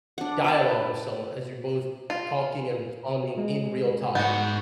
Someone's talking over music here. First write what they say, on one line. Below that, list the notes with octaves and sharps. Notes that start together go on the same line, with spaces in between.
dialogue with someone as you're both talking and responding in real time.
D4 F#5
D6
D#5 E5 G5 A5
B4
F4
G#3
G#2 B3 F#4 G6